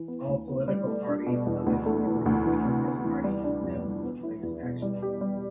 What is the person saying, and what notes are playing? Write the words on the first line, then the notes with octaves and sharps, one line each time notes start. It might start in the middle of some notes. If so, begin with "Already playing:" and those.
All political parties, other than the ruling Congress Party, condemned the police action.
Already playing: E3
B3
D2
B3
G3
A3
D4
B2
E2
D2
A3
E3
D2
E3
C3
B3
E3
G3
D4
F2
G3
B3
E4
E2
B2
G3
G4
G3